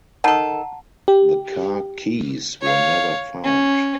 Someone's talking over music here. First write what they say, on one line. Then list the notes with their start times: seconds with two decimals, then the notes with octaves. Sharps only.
The car keys were never found.
0.24 D#3 A4 F#5 A5 A#5
1.08 G4
2.62 C#5 F5
3.44 C#4